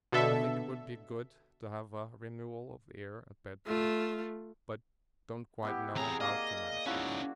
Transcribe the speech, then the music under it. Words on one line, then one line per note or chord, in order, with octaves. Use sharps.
I think it would be good to have a renewal of air at bed time, but don't quite know how to manage this.
B2 D3 A4 E5
A3 F4
B3 E4 G4
E2 C3 G#4 A#5
A#3 D5 D#5 F5
F3 C#4 D#4 E4 F#4